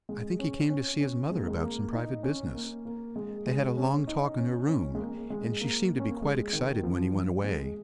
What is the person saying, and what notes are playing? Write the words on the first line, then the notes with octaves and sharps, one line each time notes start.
I think he came to see his mother about some private business. They had a long talk in her room, and she seemed to be quite excited when he went away.
G#3
C#4
C#4
C#4
G#3
A#3
G#3
A#3
D#4
C#4
A#3
A#3
G#3
G#3
C#4
D#4
C#4
C#4
G#3
A#3
G#3
A#3
A#3
C#4
A#3
G#3
D#3
F3
F3
G#3